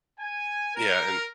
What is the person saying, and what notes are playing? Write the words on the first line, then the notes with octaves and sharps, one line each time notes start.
Yeah, and
G#5
A#4